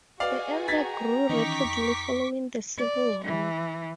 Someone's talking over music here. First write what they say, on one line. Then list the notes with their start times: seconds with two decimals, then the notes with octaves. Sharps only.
The area grew rapidly following the Civil War.
0.20 F#4 G#4 B4 D5 D#5 F5 F#5
0.68 G5 A#5 G#6 A6 B6
1.30 D#3 E3 C#4 D#4 C#6 D6 B6
1.65 F2
2.78 D5
3.25 E3